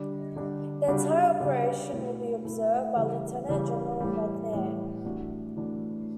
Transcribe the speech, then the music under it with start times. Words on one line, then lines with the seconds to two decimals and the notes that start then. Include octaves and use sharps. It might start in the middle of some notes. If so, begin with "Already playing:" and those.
The entire operation would be observed by Lieutenant General McNair.
Already playing: D3 G3 D4
0.36 D3 G3 D4
0.88 C#3 G3 D4 F#4
1.40 C#3 G3 D4 F#4
1.93 B2 A3 E4
2.44 B2 A3 E4
2.96 C#3 E3 G3
3.49 C#3 E3 G3
4.00 A2 E3 G3
4.53 A2 E3 G3
5.05 E3 A3 D4 F#4
5.57 E3 A3 D4 F#4